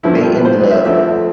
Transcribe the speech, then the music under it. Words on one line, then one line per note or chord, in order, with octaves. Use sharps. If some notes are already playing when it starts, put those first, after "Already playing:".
they ended up
G2 D3 F3 B3 E4
F4
G4
B4
C5
E5
D2 D3 F3 A3 C4 E5